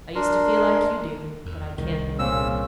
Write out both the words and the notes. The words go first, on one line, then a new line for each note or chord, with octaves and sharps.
I used to feel like you do, but I can't no more.
D4 A#4 C6
E2
C2 D#3
A#2 C#3 C4 E6